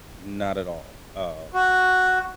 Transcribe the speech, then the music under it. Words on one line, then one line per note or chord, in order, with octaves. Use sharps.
Not at all, um
F#4